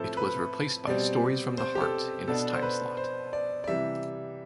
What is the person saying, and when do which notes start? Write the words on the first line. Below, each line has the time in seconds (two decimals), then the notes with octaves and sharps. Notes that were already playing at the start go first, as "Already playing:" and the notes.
It was replaced by "Stories from the Heart" in its timeslot.
Already playing: A2 F3 C4 E4 A4
0.17 B4
0.87 B2 G3 C4 D5
1.58 C5
1.75 G4
1.81 A4
2.28 B2 B3 D4 A4
2.53 C5
2.62 B4
2.97 C5
3.33 D5
3.64 D5
3.68 C3 E3 G3 E5